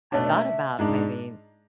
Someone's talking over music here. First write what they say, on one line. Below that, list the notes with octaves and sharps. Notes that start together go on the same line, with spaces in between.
I've thought about maybe
B2 A3 D4 C#5
D5
E5
G#2 G#3 D4